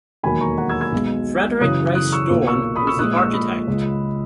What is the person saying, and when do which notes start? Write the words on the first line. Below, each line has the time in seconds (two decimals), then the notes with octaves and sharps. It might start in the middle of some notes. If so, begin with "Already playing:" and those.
Frederick Rice Dorn was the architect.
0.23 E1 D#2 D#3 F#3 A#3 G#5 B5
0.41 A#5 C#6
0.57 F#5 A#5
0.69 E6 G#6
0.81 E6 G#6
0.92 B1 B2 G#3
1.60 F#2 C#3 E3 D#6 F#6
1.95 D#6 F#6
2.12 C#6 E6
2.30 B1 A#2 A#3
2.47 C#6 E6
2.76 B5 D#6
2.87 C#6 E6
2.99 A#1 A#2 G#3 D#6 F#6
3.16 C#6 E6
3.33 B5 D#6
3.67 C#2 C#3 G#3